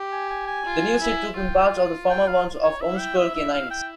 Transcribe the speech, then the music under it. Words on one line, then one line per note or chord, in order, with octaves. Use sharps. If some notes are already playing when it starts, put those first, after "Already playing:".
The new seat took in parts of the former ones of Ormskirk and Ince.
Already playing: G4
G#5
G#5
G#5
F4
E4
F4 G5
G5
F5
C#5
E4 E5
G5
E5
E5
E4 F5
G5